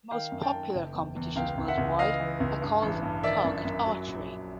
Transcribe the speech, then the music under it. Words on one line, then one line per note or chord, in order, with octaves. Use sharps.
The most popular competitions worldwide are called target archery.
D#3 F5 G5
F#2
G5 A5
D#3
F#1
E2
E2
C#2 F5 G5
C#2
E5 F#5
C#2
E3 D#5 F5
E3
C#2
G2
A1
G2
D#3 D5 E5
F#2
F#2
F#3
A#1
F#3